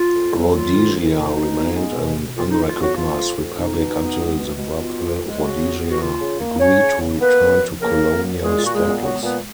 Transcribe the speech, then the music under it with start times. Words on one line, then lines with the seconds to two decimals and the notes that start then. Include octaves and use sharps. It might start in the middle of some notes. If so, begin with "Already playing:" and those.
Rhodesia remained an unrecognised republic until Zimbabwe Rhodesia agreed to return to colonial status.
Already playing: F4
0.13 F2
0.34 F#3
0.53 D#3 F4
0.74 F2
0.94 F2
1.14 B2 D#4
1.34 B2
1.55 B3
1.75 G#3
1.95 B2
2.15 B2
2.35 F2 F4
2.50 D#4
2.56 F2
2.66 F4
2.75 B3
2.81 F#3 F#4
2.96 F3 F4
3.16 F2
3.37 F2
3.57 B2 D#4
3.77 B2
3.97 B3
4.17 G#3
4.38 B2
4.58 B2
4.79 B3 F4
4.98 F2
5.19 G#3
5.38 C#3 F#3 F#4
5.59 B3
5.79 F2
5.89 F#4
6.00 C#3 F4
6.20 C#3
6.40 A#3
6.60 F#3 C#4 C#5
6.81 C#3
7.01 C#3
7.21 A#3 B3 B4
7.42 F#2
7.61 F3
7.82 C#3 A#3 A#4
8.02 A#3
8.22 F#2
8.42 A#2 G#3 G#4
8.58 F4
8.62 A#2 F#4
8.73 G#3 G#4
8.83 B3
9.03 F#3 G#3 F#4
9.23 A#2 B3 B4